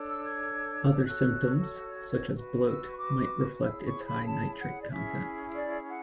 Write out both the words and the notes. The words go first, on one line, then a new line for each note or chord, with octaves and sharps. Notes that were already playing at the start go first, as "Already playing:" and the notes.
Other symptoms, such as bloat, might reflect its high nitrate content.
Already playing: D4 A4 C#5
E6
G#6
G#6
F#4 A4 C#5 F#6
G#6
G#6
F#4 B4
E6
C#6
D6
E4 G#4 C#5 E6
C#6
B5
A5
F#5
D5
C#4 E4 G#4 E5
D5
F#5